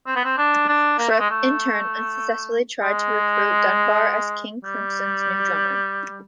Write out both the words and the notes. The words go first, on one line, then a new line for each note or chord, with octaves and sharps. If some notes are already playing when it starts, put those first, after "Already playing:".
Fripp, in turn, unsuccessfully tried to recruit Dunbar as King Crimson's new drummer.
C4
B3
C4
D4
D4
A#3
A3
G#3
A3
G#3
G3